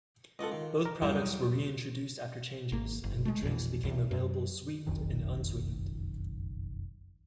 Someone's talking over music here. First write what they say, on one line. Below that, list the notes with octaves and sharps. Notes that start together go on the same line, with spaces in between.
Both products were re-introduced after changes, and the drinks became available sweetened and unsweetened.
C#2 F4 A4 D#5 F#5
D#3 F4
A#4
E2 G2 F#3 G3 E4
D#6
G#1 A#3
F#1
G#3 A3
A#1 F2 B2 E3
B1 E2 C3
F#2
F#1 B1 F2 D#3